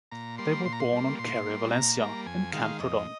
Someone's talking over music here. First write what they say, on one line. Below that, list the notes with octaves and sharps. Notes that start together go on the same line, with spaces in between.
They were born on Carrer València, in Camprodon.
A#2 A#5
G3 A#3 C6
A#2 C6
A#5
C6
G3 A#3
A#2 C6
G3 A#3
A#2 A#5
G3 A#3
F2 G#5
D#3 G#3 F5
F2 D#5